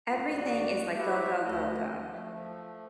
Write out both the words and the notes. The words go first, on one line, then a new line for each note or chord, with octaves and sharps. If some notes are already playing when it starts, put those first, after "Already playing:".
Everything is, like, go, go, go, go.
F#2 A2 A3 A#3 C4 F4
E2 F#4 D5 D#5
E4 F#4 G4 B4 C5 E5
D2 A3 D#5
F3 A3